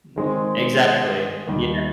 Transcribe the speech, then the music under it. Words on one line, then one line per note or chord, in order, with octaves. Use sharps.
meh exactly, yeah.
D#3 G#3 C4
D#2 D#3 G3